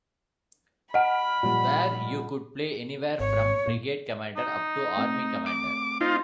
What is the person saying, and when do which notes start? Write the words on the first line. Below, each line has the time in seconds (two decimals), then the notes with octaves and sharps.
Where you could play anywhere from brigade commander up to army commander.
0.94 D#5 F#5 B5 F6
1.43 A#2 F3 G3
3.19 G#1 C#5
3.68 A#2
4.36 D#4
4.97 A3 C4
5.46 D6
6.01 D#4 F4 C5